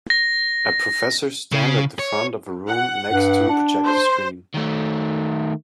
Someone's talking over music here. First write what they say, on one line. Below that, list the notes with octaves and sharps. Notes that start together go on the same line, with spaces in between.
A professor stand at the front of a room next to a projector screen.
A#6
C#3
C#5
F#5
G2
D4
C5
D#3 A3